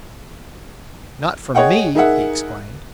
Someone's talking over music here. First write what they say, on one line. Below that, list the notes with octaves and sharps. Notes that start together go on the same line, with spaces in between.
"Not from me!" he exclaimed.
G#4 C#5 D#5 F#5 G5
D#4 G#4 A#4 E5 F#5